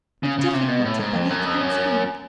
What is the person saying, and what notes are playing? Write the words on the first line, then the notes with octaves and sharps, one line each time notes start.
"With difficulty, but he can speak."
C#3
C#3
C3
B2
A2
G#2
F2
F#2
F2
F#2